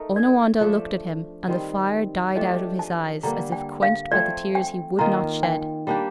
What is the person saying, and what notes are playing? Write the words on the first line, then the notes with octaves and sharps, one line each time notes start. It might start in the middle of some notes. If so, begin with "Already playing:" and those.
Onawandah looked at him, and the fire died out of his eyes as if quenched by the tears he would not shed.
Already playing: A3 D#4 A#4
D5
F3 A3 D4
D#3 G3 C4
F3 A3 D4 G4 D#5
A5
D3 G3 A#3 A#5
G5
F5
F3 A3 C4 D5
G5
D#3 A#3 F4 A#5
G5
G3 A#3 D4 G4